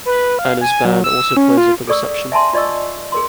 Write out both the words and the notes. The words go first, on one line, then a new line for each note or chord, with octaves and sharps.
Anna's band also plays at the reception.
B4
F5
G#5
F#3
E6
C#4
F4
G#4 A4 D5 C#6 E6
E5 G#5 A5 C6
F4 D5 D#5 C#6 E6
G#4 A#4 C6